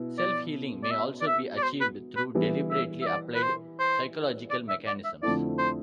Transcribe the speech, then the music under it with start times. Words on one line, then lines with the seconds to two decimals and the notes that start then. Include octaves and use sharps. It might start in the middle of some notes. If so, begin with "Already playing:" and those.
Self-healing may also be achieved through deliberately applied psychological mechanisms.
Already playing: B2 B3 E4
0.18 D5
0.84 D5
0.91 E5
1.21 D5
1.27 E5
1.58 D5
1.63 C5
1.81 B4
2.17 B4
2.35 E3 G3 B3 E4
2.71 E5
3.02 E5
3.07 D5
3.35 B4
3.43 C5
3.79 C5
4.51 D5
4.69 E5
4.87 D5
5.05 E5
5.22 F2 D3 A3 C4 E4 D5
5.59 C5